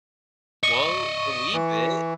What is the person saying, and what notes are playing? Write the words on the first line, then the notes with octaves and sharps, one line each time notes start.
Well, believe it.
D5 D#5 C#6
E3